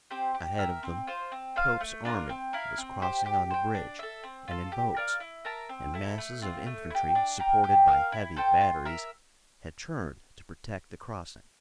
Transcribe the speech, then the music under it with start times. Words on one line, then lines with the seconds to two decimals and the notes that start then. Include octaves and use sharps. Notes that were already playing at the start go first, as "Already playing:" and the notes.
Ahead of them Pope's army was crossing on the bridge and in boats, and masses of infantry supported by heavy batteries had turned to protect the crossing.
0.10 C4 G4 C5
0.34 G4
0.59 A#4 E5
0.83 C4
1.07 F4 C5
1.32 C4
1.56 F4 C5 F5
1.80 A3
2.05 D4 F4 A#4
2.29 C4
2.53 E4 A#4 F5
2.78 C4
3.02 G4 C5
3.26 G4
3.50 C5 G5
3.74 D4
3.99 A4 E5
4.23 C4
4.48 F4 A4
4.72 G4
4.96 A#4 D5 F5
5.20 E4
5.45 A#4 E5 A5
5.69 C4
5.94 E4 A4
6.18 A3
6.42 C4 F4
6.66 A3
6.90 E4
6.95 G4
7.15 D4
7.39 G4 A#4
7.64 G4
7.88 A#4 F5
8.12 E4
8.37 A4 C5 G5
8.61 F4
8.85 A#4 E5